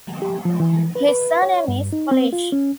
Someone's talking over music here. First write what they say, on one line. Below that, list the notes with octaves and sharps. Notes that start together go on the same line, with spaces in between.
His surname is Polish.
G4
F3
E3
B4
B4
C#5
G2
D#4
C4
F4
C#4